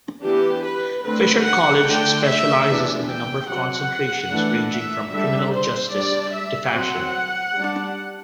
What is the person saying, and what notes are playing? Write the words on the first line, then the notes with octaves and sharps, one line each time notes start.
Fisher College specializes in a number of concentrations ranging from Criminal justice to Fashion.
E3 B3 D4 G4
B4
D3 A3 C4 B4
F#5
D3 A3 D4 G5
E5
E3 B3 D4
G5
F#3 C4 F#5
E3 A3 D4
E5
D3 G3 D4 E5
C5
G3 D4 D5
E5
F#3 C4 F#5
G3 D4